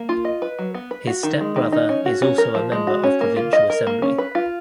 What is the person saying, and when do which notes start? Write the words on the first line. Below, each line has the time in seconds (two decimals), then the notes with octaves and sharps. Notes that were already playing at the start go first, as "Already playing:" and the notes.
His step brother is also a member of provincial assembly.
Already playing: A#3
0.09 F4
0.25 D#5
0.42 B4
0.59 F#3
0.74 B3
0.91 B4
1.07 F#4
1.23 D#3
1.41 G#3
1.56 D#3
1.72 D#4
1.89 C#4
2.06 F#4
2.22 C#4
2.38 A#4
2.55 F3
2.72 G#3
2.87 F#4
3.04 C#4
3.21 A#3
3.36 F4
3.53 D#5
3.70 A#4
3.87 A#3
4.02 C#4
4.18 B4
4.35 F4